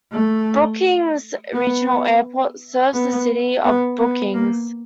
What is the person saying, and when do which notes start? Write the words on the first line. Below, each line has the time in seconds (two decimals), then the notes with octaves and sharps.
Brookings Regional Airport serves the City of Brookings.
0.12 A3
1.53 B3
2.93 B3
3.64 B3
3.99 B3
4.34 A#3